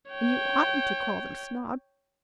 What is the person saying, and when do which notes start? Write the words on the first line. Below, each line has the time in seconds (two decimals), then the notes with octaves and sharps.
And you oughtn't to call them snobs.
0.11 C#5 G5